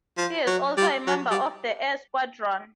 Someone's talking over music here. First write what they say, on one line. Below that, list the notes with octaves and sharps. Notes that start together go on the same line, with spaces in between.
He is also a member of The Air Squadron.
F3
F#3
G3
F#3
G3